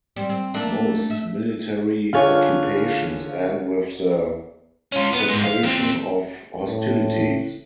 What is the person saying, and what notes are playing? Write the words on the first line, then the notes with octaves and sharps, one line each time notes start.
Most military occupations end with the cessation of hostilities.
G3 C4
C4
A3 A#3 D4
E5
D3 F4 G#4 C#5 F5
C#4 F4
B3
G#2 G#3
F5
E2 C4
A2